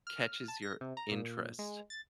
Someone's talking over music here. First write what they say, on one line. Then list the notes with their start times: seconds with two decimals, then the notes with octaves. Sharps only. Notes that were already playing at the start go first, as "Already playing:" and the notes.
catches your interest,
0.07 F6
0.48 A5
0.62 A#6
0.81 C3
0.97 A#5
1.11 A#2
1.59 G#3
1.90 A6